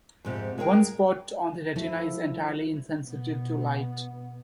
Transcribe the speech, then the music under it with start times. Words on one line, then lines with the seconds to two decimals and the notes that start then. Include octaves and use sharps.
One spot on the retina is entirely insensitive to light.
0.25 F2 G#2 C3
0.58 G#3 G#4 A#4 G5
1.76 F3 A3 E4
3.05 B2 B3